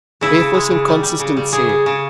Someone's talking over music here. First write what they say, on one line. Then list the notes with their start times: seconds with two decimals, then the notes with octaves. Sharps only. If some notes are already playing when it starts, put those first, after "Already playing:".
Faithless inconsistency!
0.21 C#3 E4
0.38 C#3
0.54 G#3
0.71 C#3
0.88 G3
1.03 G3
1.20 C#3
1.37 G3
1.52 C#3 G#4
1.69 C#3
1.86 C#3